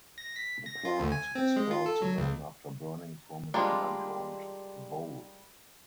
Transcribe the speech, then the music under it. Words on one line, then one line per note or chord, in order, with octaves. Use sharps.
The plant sprouts again after burning from an underground bole.
A#6
B6
A#6
F4
D2
G#5
C4
G#3
F4
A4
F#3
C#2
G3 G#3 A#3 D4 F4